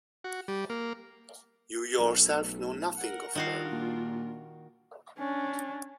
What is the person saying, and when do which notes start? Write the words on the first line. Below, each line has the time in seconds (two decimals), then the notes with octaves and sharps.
You yourself know nothing of her.
0.24 F#4
0.48 G3
0.70 A#3
1.99 B1 A3 B3
2.96 A#4 F#5
3.35 D#3 G3 D4 F4 F#4 F5
3.72 A#2
5.18 C#4 D4